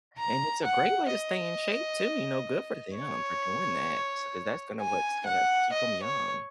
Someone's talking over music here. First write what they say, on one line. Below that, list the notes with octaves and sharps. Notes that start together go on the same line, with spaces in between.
And it's a great way to stay in shape too, you know, good for them for doing that, so 'cause that's gonna what's gonna keep ‘em young.
A#5
F#5
D#5
C#5
G#5
F#5
D#5
C#5